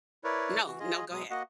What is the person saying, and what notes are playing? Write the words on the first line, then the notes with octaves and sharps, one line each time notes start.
No, no, go ahead.
E4 A#4 B4 C#5 D5
E3 F#4
F4 G#4 D#5
B2 F#3 G#3 D#6
A#3 F#4 D#5 F#5